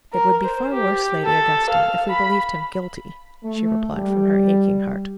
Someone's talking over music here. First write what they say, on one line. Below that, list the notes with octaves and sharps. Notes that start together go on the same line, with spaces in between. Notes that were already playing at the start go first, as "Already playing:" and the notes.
"It would be far worse, Lady Augusta, if we believed him guilty," she replied from her aching heart.
A#4
C5
G4
A4
F5
B5
A3
G3